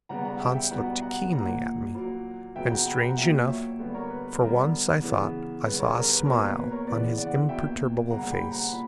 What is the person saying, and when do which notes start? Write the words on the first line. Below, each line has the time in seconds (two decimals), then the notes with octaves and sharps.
Hans looked keenly at me, and, strange enough, for once I thought I saw a smile on his imperturbable face.
0.09 C#3 G3 B3 F#5 A#5
0.25 F#5 A#5
0.40 E5 G5
0.55 E5 G5
0.71 B2 G3 B3 F#5 A#5
1.02 F#5 A#5
1.32 A#2 A#3 F#5 A#5
1.95 A#2 F#3 A#3
2.56 C#3 F#3 B3 E5 G5
2.71 F#5 A#5
2.86 G5 B5
3.02 F#5 A#5
3.17 A#2 F#3 A#3 E5 G5
3.48 C#5 E5
3.79 D3 G3 B3
3.94 A#4 C#5
4.10 B4
4.25 B4
4.41 D3 G3 B3 A#4
5.02 C#3 E3 B3
5.64 C#3 G3 B3 B4
5.79 A#4 C#5
5.94 A#4
6.10 B4
6.26 B2 A#3 A#4 C#5
6.41 B4
6.56 B4
6.71 A#4 C#5
6.87 C#3 E3 B3 B4 D5
7.18 D5 F#5
7.49 B2 A#3 E5 G5
8.10 C#3 G3 A#3 F#5 A#5
8.31 G5 B5
8.52 F#5 A#5
8.72 A#2 B5